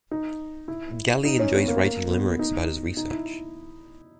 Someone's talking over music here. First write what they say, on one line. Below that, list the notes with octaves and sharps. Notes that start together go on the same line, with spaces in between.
Galli enjoys writing limericks about his research.
D#4
E4
D#4
C#4
B3
A#3
B3
D#4
D#4
E4